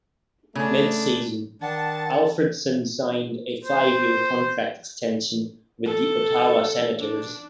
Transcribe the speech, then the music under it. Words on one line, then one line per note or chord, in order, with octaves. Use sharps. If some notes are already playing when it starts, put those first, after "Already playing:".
Mid-season, Alfredsson signed a five-year contract extension with the Ottawa Senators.
C#3 A3 D4
D#3 D4 F#5 A5
C5
A4
D4